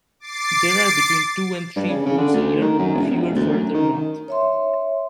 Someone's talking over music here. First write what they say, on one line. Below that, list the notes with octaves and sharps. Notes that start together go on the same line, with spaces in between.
There are between two and three broods a year, fewer further north.
D6 A6 C7
G2
C#3
C#3
D3
D2
D#3
F#2
E1
E1
D2
F#2
D#3
C#5 E5 C6